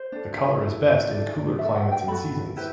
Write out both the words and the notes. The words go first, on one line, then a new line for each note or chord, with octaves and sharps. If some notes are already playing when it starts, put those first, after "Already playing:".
The color is best in cooler climates and seasons.
Already playing: C5
D4 A4
E4 A4
E4 A4 D5
D5
F#4 A4 E5
F#5
G5
F#4 A4 B5
E4 G4 B4